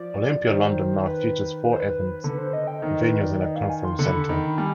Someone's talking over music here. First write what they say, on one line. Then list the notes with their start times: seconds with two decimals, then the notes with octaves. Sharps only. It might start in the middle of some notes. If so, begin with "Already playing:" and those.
Olympia London now features four event venues and a conference centre.
Already playing: F3 D5
0.47 D#3 C5
1.06 B4
1.64 B4
1.73 C5
1.80 B4
2.23 D3 B4
2.38 C5
2.53 D#5
2.67 G5
2.82 D#3 D#5
3.01 B4
3.21 D5
3.41 D#5
3.56 F5
3.70 G#5
3.85 C6
3.99 D3 B5
4.29 D#3 B5
4.58 G3 G#5